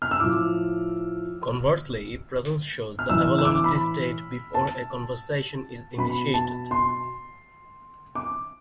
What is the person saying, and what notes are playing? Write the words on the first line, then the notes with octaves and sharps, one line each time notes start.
Conversely, Presence shows the availability state before a conversation is initiated.
F6
E6
A2 F3 D6
F6
A2 E3 E6
E6
D6
B5
A5
B2 B5
A5
C6
D6